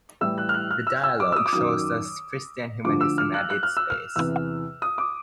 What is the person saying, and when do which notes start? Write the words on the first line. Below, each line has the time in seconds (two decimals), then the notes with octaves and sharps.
The dialogue shows us Christian humanism at its best.
0.21 A2 E3 G3 E6
0.38 F#6
0.49 F6
0.54 F#6
0.71 F6
0.87 E6
1.04 E6
1.20 D6
1.32 E6
1.36 D#6
1.46 D6
1.53 F#2 D#3 F#3 D#6
2.84 D2 D3 F3 D6
3.01 E6
3.18 F6
3.34 F#6
3.50 F#6
3.63 F6
3.77 E6
3.90 F6
4.16 E2 C3 E3 E6
4.82 D#6
4.98 D6